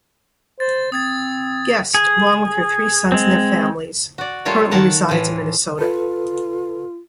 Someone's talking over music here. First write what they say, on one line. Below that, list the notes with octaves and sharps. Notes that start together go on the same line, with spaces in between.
Guest, along with her three sons and their families, currently resides in Minnesota.
C5 A6
C4 D#6 G#6 A6
G#4
G#3 C4
F#4 D5
G3 A3 F4 A#4 C#5
D#3 A#3 A#4 F#5 A5
A2 E3 F3
F4 A4 B4